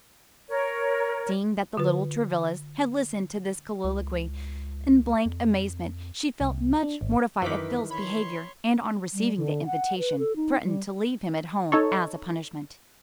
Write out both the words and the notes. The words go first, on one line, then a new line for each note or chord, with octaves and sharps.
Seeing that the little Travillas had listened to this colloquy in blank amazement, she felt much mortified at Phil's behavior, and on receiving the invitation threatened to leave him at home as a punishment.
A#4 C#5
D3 F4 B4
C#2
F2
C2
D4
G#1
F#2 D#3 E3 B4 D6 B6
C#5 B5 C6
G3
D3
F#5
B4
A4
D#4
G3
D#4 A4 C#5